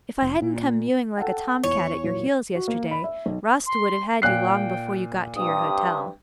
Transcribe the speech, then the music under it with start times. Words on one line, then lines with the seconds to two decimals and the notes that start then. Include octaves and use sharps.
If I hadn't come mewing like a tom-cat at your heels yesterday, Rasta would have had you long before you got to your hotel.
0.22 F1
0.42 A#2
1.17 A4 F#5 G5
1.63 E2 C#5
2.03 A#2 E3 F#3
2.55 F#4
2.68 A#3
2.91 B5
3.04 E5
3.26 B1
3.66 C6
4.22 A#2 G5 F#6 C7
5.36 G2 C3 G4 D#6